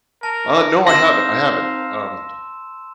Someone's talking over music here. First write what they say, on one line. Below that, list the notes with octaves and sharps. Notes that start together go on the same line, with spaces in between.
Uh, no, I haven't, I haven't, um
A#4 A5
C4 D#4 F5 C6 E6 A#6 E7